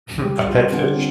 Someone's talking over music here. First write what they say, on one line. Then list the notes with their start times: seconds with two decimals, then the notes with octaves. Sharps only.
Hmm, a pet fish?
0.23 G3
0.47 F4
0.72 D3
0.95 C4